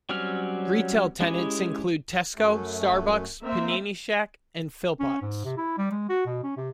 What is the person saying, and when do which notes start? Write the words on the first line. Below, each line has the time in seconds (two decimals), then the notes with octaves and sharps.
Retail tenants include Tesco, Starbucks, Panini Shack and Philpotts.
0.09 F#3 G3 C4 C#4 F6
1.21 G#3 C#4 E4 G4 G#4
2.36 F#2 A3
3.42 A#3 C4 E5
5.00 C#4
5.22 G#2
5.45 C3
5.58 E4
5.78 G3
5.91 G#3
6.09 F#4
6.26 B2
6.43 C#4
6.57 C3